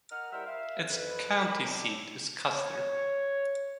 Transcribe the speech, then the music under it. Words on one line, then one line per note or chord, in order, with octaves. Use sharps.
Its county seat is Custer.
A#4 D#5 F#5 F6
G3 E4 A#4 C5 E5 F#5
E5 F5
F2 B4
A#4 D#5 G#5 B5
A4 C#5 D5 E5 G5 A5
C#5